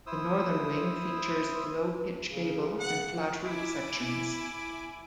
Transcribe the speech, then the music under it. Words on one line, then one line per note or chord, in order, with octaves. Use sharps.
The northern wing features low pitch gable and flat roof sections.
E4 C5 D#6 E6
C#3
F#5
E4 G#5 D6